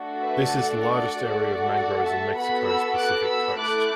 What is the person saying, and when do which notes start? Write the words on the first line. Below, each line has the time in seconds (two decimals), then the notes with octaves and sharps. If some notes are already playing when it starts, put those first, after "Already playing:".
This is the largest area of mangroves on Mexico's Pacific coast.
Already playing: A3 D4 F#4 A4
0.22 B4 E5
0.53 D5 F#5
1.14 A3 F#4 A4
1.75 D5 F#5
2.06 E5 A5
2.36 B3 F#4 A4 F#5 B5
2.67 B5 E6
2.97 D6 F#6
3.28 B5 E6
3.59 A3 E4 A4 D6 F#6